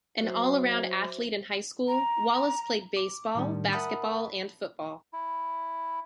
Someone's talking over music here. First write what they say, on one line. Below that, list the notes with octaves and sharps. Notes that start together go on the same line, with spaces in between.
An all-around athlete in high school, Wallace played baseball, basketball and football.
F#3 F#4 C5 E5
A#5
D6
A2 D#3 G3 D4
A#4 E5 F#5 A5 B5 D#6
E4